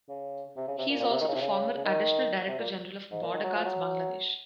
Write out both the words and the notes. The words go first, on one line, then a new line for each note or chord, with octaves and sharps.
He is also the former additional director general of Border Guards Bangladesh.
C#3
C3
C#3
C3
A#2
A#2
C3
D#3
C#3
C3
C#3
C#3
D#3
C3
A#2
G#2
A#2
D#3
F#3
F3
F#3